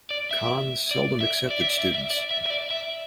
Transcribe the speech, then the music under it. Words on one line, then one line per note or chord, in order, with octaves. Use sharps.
Khan seldom accepted students.
D5
E5
D5
E5
D5
E5
D5
E5
E5
D5
E5
E5
D5
E5